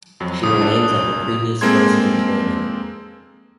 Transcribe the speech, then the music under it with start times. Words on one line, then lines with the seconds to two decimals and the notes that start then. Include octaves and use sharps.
She remains at her previous place of employment.
0.20 F2 F#3
0.43 B1 G#2 C#3 D#6
0.61 D4 A4 D5
0.89 C2 F#3
1.61 G#3 A#3 C4 A4 C6 G#6